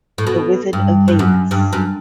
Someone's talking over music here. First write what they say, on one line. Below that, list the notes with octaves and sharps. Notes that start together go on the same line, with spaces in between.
"The Wizard of Venus".
A2
B2
G2
G2
F#2
G2
F#2